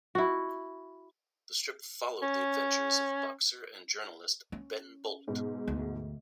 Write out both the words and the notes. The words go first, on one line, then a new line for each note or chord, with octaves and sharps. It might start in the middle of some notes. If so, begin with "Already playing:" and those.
The strip followed the adventures of boxer and journalist Ben Bolt.
E4 F#4
C#4
C#4
G#2 B2
D2